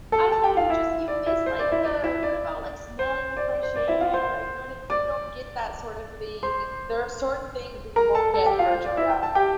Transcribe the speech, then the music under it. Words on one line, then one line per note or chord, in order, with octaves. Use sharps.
I don't know, you just you miss, like, the what about, like, smelling the fresh air? You know what I mean? You don't get that sort of thing. There are certain things that you won't get in virtual reality.
A4 A5
A4 A5
G4 G5
F4 F5
E4 E5
D5
E4 E5
C5
D5
E4 E5
D5
E4 E5
D5
C5
D5
D5
C5
D5
E4 E5
F4 F5
C5 C6
D5 D6
C5 C6
A#4 A#5
A4 A5
A4 A5
G4 G5
F4 F5
C5
D5
E4 E5
G5
A5
G4 G5